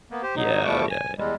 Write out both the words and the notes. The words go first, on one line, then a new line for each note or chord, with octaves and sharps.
Yeah, yeah, yeah.
A#3 B3
G4 C5
F#3 D#4
E2 F3 G3 A3 C#6 D6
G#5
E2 G3 G#3